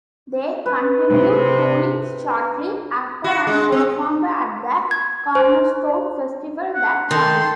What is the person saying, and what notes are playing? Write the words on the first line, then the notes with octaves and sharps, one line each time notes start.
They continued touring shortly after and performed at the Cornerstone Festival that summer.
B4
C3
F#4
G#3
C4
G#6
C5
F#5
D#3 A4 G5 C6